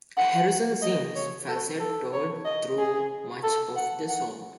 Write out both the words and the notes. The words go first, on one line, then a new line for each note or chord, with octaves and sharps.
Harrison sings falsetto through much of the song.
F#5
D#5
C#5
A4
A4
C#5
D#5
G#4
A4
F#5
F#5